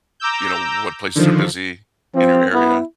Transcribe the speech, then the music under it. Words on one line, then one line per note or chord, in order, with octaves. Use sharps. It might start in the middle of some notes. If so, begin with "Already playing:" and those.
you know, w what places are busy in your area.
A#5 D6 E6 G6
D3 D#3 F3
F3 C4
B3 E4